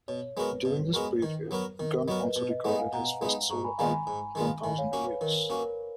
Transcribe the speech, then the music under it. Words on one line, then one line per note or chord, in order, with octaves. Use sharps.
During this period Gunn also recorded his first solo album "One Thousand Years".
B2 C#5
G#3 B3 F#4 A#4 B4
B2
G#3 B3 F#4 A#4
D#3
F#3 B3 F#4 A#4
D#3 A#4
A#4
F#3 B3 F#4 A#4 B4 D#5
B4
B2 B4
B4 D#5
G#3 B3 D#4 D#5 F#5
F5 G#5
B2 F#5 A#5
G#3 B3 D#4
G#2 A#5 C#6
G#5 B5
D#3 G#3 B3 F4 G#5 B5
G#5 B5
G#2 G#5 B5
D#3 G#3 B3 F4
D#3 G#5 B5
C#5 F5
A#3 C#4 F#4 C#5
B4
D#3 A#4
A#3 C#4 F#4
A#4